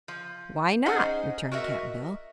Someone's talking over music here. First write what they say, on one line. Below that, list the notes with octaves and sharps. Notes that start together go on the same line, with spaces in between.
"Why not?" returned Cap'n Bill.
F3
C#4 D#4 G#4 C5 D#5 F#5
F#4 A#4 C#5 D#5 E5